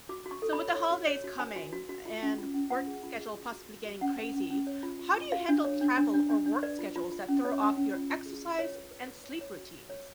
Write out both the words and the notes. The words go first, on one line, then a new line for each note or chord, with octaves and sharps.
So with the holidays coming and work schedule possibly getting crazy, how do you handle travel or work schedules that throw off your exercise and sleep routines?
F#4 D6
F#4
C#6
A4
B5
C#5
C#5
F#4
C#5
F#4
B4 G#5
F#4
F#4
F#4
F4
C#4
F4
C#4
F4 F#5
G#4
F4
G#4
F#4
F#4
F#4
F#4
C#4 F#5
B4
C#4
C#4
C#5
F4
F4
F4
F#4 F5
D4
C#5
D4
D4
D4
D4
D4
B4 D5
F4
F4
F4
C#4
C#5
C#4
C#4
F4
F4
G#4
F4
F4 C#5
B4
B4
B4
C#5
C#5
F#4
F#4
C#5